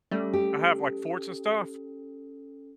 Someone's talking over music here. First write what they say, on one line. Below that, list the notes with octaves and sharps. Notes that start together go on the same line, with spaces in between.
I have, like, forts and stuff,
G3 A3 C#4 A4
G4